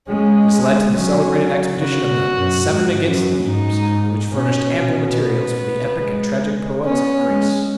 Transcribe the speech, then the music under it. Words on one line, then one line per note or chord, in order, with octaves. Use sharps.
This led to the celebrated expedition of the "Seven against Thebes," which furnished ample materials for the epic and tragic poets of Greece.
G#3 C#4
F#3 C#4
C#3 F#4
B2
F#2
G#2
F#2
G#2 D#4
B2 C#4
B3
G#3
B3 C#4
G#3